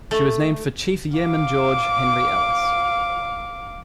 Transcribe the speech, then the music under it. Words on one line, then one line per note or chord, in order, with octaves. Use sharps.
She was named for Chief Yeoman George Henry Ellis.
A3
F5 D6